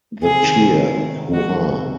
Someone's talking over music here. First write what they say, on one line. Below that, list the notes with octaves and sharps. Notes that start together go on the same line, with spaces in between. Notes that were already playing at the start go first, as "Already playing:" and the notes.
The cheer, Hurrah!
C3 G#4
D#3
C3
C3
D#3
C3
G#3 F#4
G#3
C3